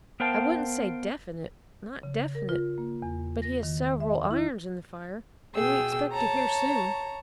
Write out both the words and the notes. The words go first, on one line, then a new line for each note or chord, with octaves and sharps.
"I wouldn't say definite, not definite, but he has several irons in the fire and we expect to hear soon."
B3 A#4 C5 F5 G5 A5
C#3
A#4
F4
A#3
E2
A#6
D#3
E5
E4
B2 G#4 G5 E6
C#5 A5 A#5